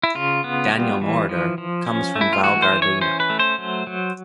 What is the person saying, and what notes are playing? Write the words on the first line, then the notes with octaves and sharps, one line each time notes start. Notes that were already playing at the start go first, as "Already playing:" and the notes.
Daniel Moroder comes from Val Gardena.
E4
C#3 F4
B3
G3
E3
F3
F3
C#4
A3
E4
F4
E3 F#4
C5
E3
C#5
C#4 C5
B4
A3
C5
F#3
F#3